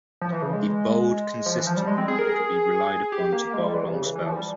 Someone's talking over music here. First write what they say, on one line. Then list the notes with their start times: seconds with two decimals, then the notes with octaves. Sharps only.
He bowled consistently and could be relied upon to bowl long spells.
0.21 F3
0.32 E3
0.42 C#3
0.53 G#3
1.46 F3
1.57 E3
1.67 F3
1.77 G3
1.87 G#3
1.98 C4
2.08 G#4
2.19 A#4
2.29 G#4
3.12 G4
3.33 A#3
3.54 G#3
3.64 G3
3.74 E3
3.84 C3
3.95 C#3
4.05 E3
4.16 E3
4.26 F3
4.36 G3